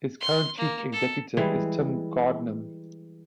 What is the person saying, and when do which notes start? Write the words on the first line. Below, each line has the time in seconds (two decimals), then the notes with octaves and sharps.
Its current chief executive is Tim Gardam.
0.21 C6
0.57 A#3
0.92 A4
1.37 E3 G3 G#3